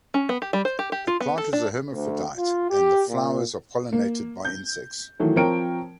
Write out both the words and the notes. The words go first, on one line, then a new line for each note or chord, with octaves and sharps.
The plant is hermaphrodite and the flowers are pollinated by insects.
C#4
B3
G4
G3
C5
G4
G4
F4
B3
A4
D4
D2
F4
G4
A#2
A#3
G6
D#3 E3 F#3 A3
F3 C4 A#4 C#5 G5 D7